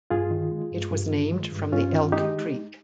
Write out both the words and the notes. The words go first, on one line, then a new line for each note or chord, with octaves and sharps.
It was named from the Elk Creek.
G2 F4 G#4
D#3
G#3
G2
G2
D#3
G#3
G2
G2 C#4 F4
D#3
G#3 D#4 G4